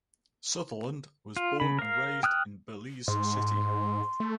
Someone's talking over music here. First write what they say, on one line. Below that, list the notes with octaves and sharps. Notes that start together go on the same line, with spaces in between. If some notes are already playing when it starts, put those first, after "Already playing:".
Sutherland was born and raised in Belize City.
F4
C#3 B5
A#4 F5
G5 D#6 F6 F#6
G#2 C6
A3